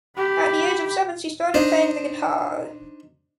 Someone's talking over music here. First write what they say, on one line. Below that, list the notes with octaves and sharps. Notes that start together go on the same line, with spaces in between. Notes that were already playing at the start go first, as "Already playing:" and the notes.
At the age of seven she started playing the guitar.
G4 B5
D4 D#4 C5